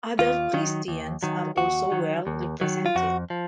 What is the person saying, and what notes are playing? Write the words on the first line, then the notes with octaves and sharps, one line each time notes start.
Other Christians are also well represented.
D#2 F4
D#3 F#3
D#2
D#3 F#3
D#2 F#4
D#3 F#3
D#2
D#3 F#3
F4
F2 F#4
F3